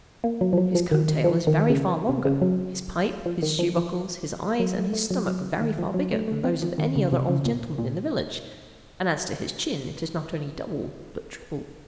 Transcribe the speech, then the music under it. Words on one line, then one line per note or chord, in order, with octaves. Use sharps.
His coat-tail is very far longer--his pipe, his shoe--buckles, his eyes, and his stomach, very far bigger--than those of any other old gentleman in the village; and as to his chin, it is not only double, but triple.
A#3
F#3
F3
F#3
F3
D#3
D#3
F3
D#3
C#3
C3
C#3
F#3
F3
D#3
F3
F3
F#3
A3
A3
F#3
F#3
D#3
F3
F#3
A3
A3
C4
F3
D#3
C#3
C3
C#3
A#2
A#2